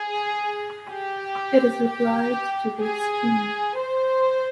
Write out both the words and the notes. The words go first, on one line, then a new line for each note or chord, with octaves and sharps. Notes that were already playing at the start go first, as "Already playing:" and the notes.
It is applied to the skin.
Already playing: G#4
G4
G4
G#4
C5